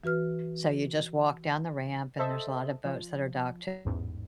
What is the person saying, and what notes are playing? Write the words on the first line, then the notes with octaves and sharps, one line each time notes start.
So you just walk down the ramp and there's a lot of boats that are docked to
E3 F#4 B4 F6
A4 C5 D#5 E5 A5
F3
A1 E2 G#2